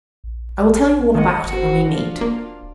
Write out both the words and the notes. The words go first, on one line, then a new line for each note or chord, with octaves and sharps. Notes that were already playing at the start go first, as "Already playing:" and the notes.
I will tell you all about it when we meet.
A#1
D#3 G#3 D#5 F#5
G1 F#4 C5
F3 D4 F4
D#1 A#3